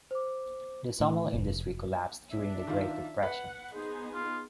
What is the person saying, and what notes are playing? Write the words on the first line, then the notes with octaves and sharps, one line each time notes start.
The sawmill industry collapsed during the Great Depression.
C5 D6
A2
F1
D4 E5
D#3 F4
B4 F#5
B3 D#4 G#4 C5
F4